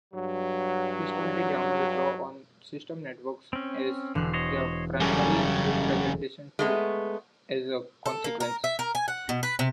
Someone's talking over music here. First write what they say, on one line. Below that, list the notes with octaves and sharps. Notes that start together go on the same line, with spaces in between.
Systemic grammars draw on system networks as their primary representation tool as a consequence.
G2 F#3
C4 C#4
E1 D3 F#6 C7
C5 C#5 D#5
F#2 C#3 G3 C#4 G#4 A4
G#3 A3 B3
A4
A#3
A#4
E5
A#4
G#5
F#5
B2
B4
C3